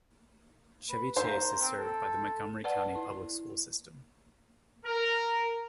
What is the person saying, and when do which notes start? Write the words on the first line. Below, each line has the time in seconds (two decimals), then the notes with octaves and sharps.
Chevy Chase is served by the Montgomery County Public School system.
0.90 B4
1.16 A#4 C5 C6
1.61 C4
1.78 A4
2.64 B4 D5 F#5 A5
2.95 E4
4.85 A#4